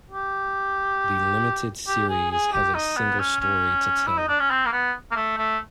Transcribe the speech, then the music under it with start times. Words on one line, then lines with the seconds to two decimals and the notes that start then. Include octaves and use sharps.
The limited series has a single story to tell.
0.11 G4
1.87 G4
2.09 G#4
2.31 G#4
2.52 G4
2.75 D#4
2.96 B3
3.19 C#4
3.40 C#4
4.07 E4
4.18 D#4
4.28 D4
4.40 C#4
4.50 C4
4.66 A#3
4.73 B3
5.11 A#3
5.16 A3
5.38 A3